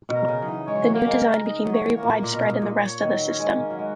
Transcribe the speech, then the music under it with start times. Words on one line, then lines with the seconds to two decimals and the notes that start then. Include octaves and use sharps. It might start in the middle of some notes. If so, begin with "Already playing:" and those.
The new design became very widespread in the rest of the system.
0.09 B2
0.15 A#4
0.28 C#3
0.42 F#3 D#4
0.48 E3
0.67 G#3 C#5
0.75 F#3
0.83 E3
0.90 F#3 A#3
1.07 G#3
1.20 A#4
1.46 D#4
1.65 F#3
1.72 C#5
1.85 E3
1.97 A#3
2.04 A#2
2.23 A#2 A#4
2.34 B2
2.45 A#2 D#4
2.62 A#2
2.76 C#5
3.01 D#3 F#3
3.27 C#4
3.40 G#3
3.53 A#3
3.70 F#3
3.79 G#3 F#4